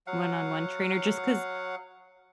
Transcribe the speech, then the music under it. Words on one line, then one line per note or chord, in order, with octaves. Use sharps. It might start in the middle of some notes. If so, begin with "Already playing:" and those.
one-on-one trainer, just 'cause
F#3 F5 F#5